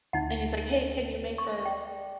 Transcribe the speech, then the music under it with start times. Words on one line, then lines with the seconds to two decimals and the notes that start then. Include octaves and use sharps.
and he's like, "Hey, can you make this,"
0.13 D2 D#4 F#5
1.38 C#6
1.65 D5 G5